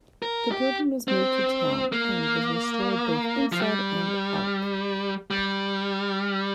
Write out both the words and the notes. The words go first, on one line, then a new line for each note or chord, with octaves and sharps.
The building was moved to town and was restored both inside and out.
A#4
G4
C4
A#3
F3
G3
G3